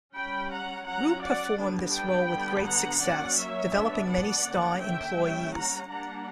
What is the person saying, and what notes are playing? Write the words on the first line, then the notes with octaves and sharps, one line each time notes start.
Root performed this role with great success, developing many star employees.
G3 C#4 G5 B5
F#5 A#5
F#3 C#4 F#5 A#5
D5 F#5
D3 G3 B3 D4
G5 B5
D3 G3 B3 D4
F#5 A#5
F#3 A#3 C#4 D5 F#5
C#5 E5
G3 B3 D4
D5 F#5
D3 A#3 C#4
E5 G5
G3 A#3 C#4
F#5 A#5
G3 A#3 D4 F#5 A#5